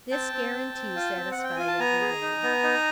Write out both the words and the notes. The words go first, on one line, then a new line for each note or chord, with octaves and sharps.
This guarantee satisfied every one.
C4 G5 A5
C4
C4
C4
F4
C4
F#5
C4
G5
F4 G#5
A5
B3 G#5 A#5
G#4
D#4
B3
D#4